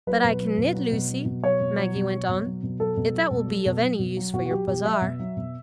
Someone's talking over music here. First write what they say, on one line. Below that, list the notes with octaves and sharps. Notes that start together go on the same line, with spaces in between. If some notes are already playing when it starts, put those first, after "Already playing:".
"But I can knit, Lucy," Maggie went on, "if that will be of any use for your bazaar."
F#3 B4
B2
F#3
B2
F#3
B2
F#3
B2
F#3 C#5
B2
F#3
B2
F#3
B2
F#3
B2
F#3 A4
B2
F#3
B2
F#3
B2
F#3
B2
F#3
B2 F#4
F#4
F#3 G4
B2 G4
F#3 E5
B2
F#3
B2